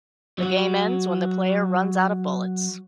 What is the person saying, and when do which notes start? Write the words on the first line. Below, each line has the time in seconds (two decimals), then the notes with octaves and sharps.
The game ends when the player runs out of bullets.
0.38 F#3 F#4